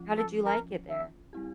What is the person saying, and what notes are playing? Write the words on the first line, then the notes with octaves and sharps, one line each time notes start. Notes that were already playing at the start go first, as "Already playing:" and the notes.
How did you like it there?
Already playing: F3 C#4 F4
A4
A#4
E5
G3 C4 E4 G4